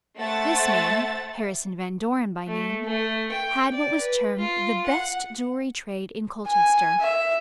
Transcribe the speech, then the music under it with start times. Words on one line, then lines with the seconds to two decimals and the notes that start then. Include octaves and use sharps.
This man--Harrison Van Doren by name--had what was termed the best jewelry trade in Colchester.
0.18 A3 C5 E5 F#5 E6 A6
2.47 A3
2.85 A3
3.31 G5
3.71 D5
4.00 B4
4.37 F4
4.86 F#5
6.47 G#5
7.01 E5